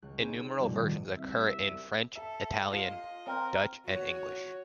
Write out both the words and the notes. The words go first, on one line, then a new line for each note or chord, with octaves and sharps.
Innumerable versions occur in French, Italian, Dutch and English.
C#2 F#6
C4 C#4 D#4 G#4 B4 C5
F1 A#1 G2 B2 G3
D#1 D#3
C2 E5
A4 E5
F4 D#5 C7
C4 A#4
F#4 C#5